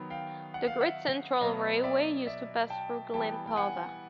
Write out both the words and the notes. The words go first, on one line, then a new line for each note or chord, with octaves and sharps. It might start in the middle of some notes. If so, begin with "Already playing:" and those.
The Great Central Railway used to pass through Glen Parva.
Already playing: D#3 F#3 B3
F5 G5
F#5
F5
E5 F#5
B2 F#3 B3 D#5 F5
D5 E5
D5 E5
G5 A5
E3 G3 B3 G5 A5
G5
F#5 G#5